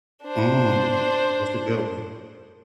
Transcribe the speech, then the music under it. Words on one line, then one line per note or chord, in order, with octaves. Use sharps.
Mm. That's a good one.
D4 C5